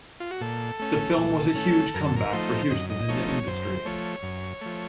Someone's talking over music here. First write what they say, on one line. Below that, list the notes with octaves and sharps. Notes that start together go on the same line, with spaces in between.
This film was a huge comeback for Houston in the industry.
F4
F#4
A#2 A4
A3 C#4
A#2
A3 C#4
F#2 A#4
A4
A#4
F3 A3 D#4 C5
F#2 D#5
D#5
F3 A3 D#4 C#5
C#5
F#2 C5
F3 A3 C#5
F#2
F3 A3